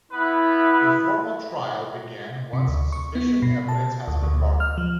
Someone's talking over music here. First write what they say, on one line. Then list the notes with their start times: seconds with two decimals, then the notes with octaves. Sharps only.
A formal trial began once sufficient evidence had been garnered.
0.12 B3 E4 B4
2.53 C3
2.68 D2
2.92 C#6
3.15 B3
3.42 B2
3.69 A5
4.08 D2
4.23 D2
4.60 F6
4.78 F3